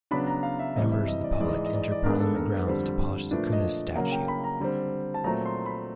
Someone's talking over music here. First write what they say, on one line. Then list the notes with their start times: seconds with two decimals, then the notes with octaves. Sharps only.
Members of the public enter Parliament grounds to polish Sukuna's statue.
0.11 C#3 F#3 B3 D4 B5
0.27 A#5
0.43 F5
0.59 E5
0.76 C3 E3 G3 D#5
0.92 E5
1.08 D#5
1.24 D5
1.33 D#5
1.40 G#2 E3 G#3 D5
1.48 D#5
1.57 D5
1.66 D#5
1.75 D5
1.82 D#5
1.91 D5
2.03 G2 D#3 G#3 B3 D4 A#4
2.20 A4
2.35 A#4
2.51 B4
2.67 F2 D3 G3 C5
3.31 A#2 F3 A3 D4 B4
3.53 D#5
3.96 C#3 F#3 A#3 F#5
4.12 G5
4.28 B5
4.44 A#5
4.60 D3 G3 C4
5.14 A5
5.24 A#2 F#3 A3 C4 A#5
5.45 C6
5.66 B5